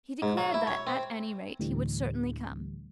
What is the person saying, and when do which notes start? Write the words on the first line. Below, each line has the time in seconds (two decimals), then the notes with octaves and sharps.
He declared that, at any rate, he would certainly come.
0.22 G#2
0.37 F#3
0.54 E4
0.67 C#5
0.87 C4
1.59 D2 A2 D3 E3 G3